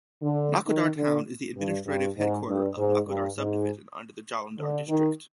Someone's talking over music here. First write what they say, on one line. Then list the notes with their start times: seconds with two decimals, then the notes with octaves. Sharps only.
Nakodar Town is the administrative headquarter of Nakodar subdivision under Jalandhar district.
0.22 D3
0.67 D#3
0.96 D3
1.57 G2
1.87 G2
2.17 G#2
2.47 G2
2.77 G#2
3.08 G2
3.38 G#2
4.58 D3
4.88 D#3